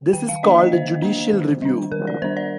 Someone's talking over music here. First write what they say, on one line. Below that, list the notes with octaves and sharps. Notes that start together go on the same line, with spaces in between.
This is called judicial review.
D#3 G5
F5
A#3 D4 D#5
D#5
D#3 C5
A#3 D4
D#3
G3 D4
D#3 A#4
D5
G3 D4 C5
D5